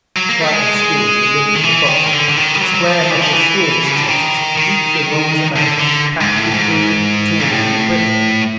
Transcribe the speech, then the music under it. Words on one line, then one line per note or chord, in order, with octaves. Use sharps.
The frightened stewards were lifting the boxes, square metal storage chests each as long as a man, packed with food, tools, and equipment.
F#3
A#3
A3
G#3
D#3
E3
D#3
D#3
D3
D3
D#3
G3
F#3
F#3
F3
E3
F3
E3
C#3
D3
D#3
D#3
D3
D3
G#2
A2
G#2
A#2
A2